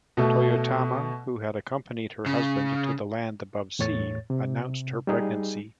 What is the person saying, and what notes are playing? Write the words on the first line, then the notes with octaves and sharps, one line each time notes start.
Toyotama, who had accompanied her husband to the land above sea, announced her pregnancy.
B2 A3
C#3
E2 A2 C#5 A6
C3
G3 D#4 G#4